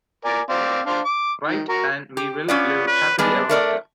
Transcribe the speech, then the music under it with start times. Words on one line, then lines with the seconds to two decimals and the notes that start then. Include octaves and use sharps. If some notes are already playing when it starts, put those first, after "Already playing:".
Right, and we will live happily ever after.
0.25 A#4 D5 G#5
0.50 C4 D5 F5
0.86 D4 C5 F5
1.05 D6
1.47 D#3
1.69 F#4 A#4
2.17 G4
2.48 B3 C#4 F4 D5
2.87 B4
3.19 G3 G#3 B3 D4
3.49 A3 A#4 D5